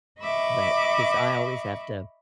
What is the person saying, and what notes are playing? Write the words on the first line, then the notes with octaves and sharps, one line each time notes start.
but 'cause I always have to,
D#5 E5 B5 C#6 D6